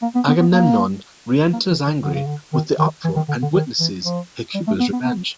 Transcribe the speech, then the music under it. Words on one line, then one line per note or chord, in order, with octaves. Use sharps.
Agamemnon re-enters angry with the uproar and witnesses Hecuba's revenge.
A#3
B3
B3
B3
A#3
A#3
E3
D#3
D3
C#3
D3
D#3
D#3
E3
D#3
D3
D3
D#3
E3
F3
G3
A3
B3
B3
B3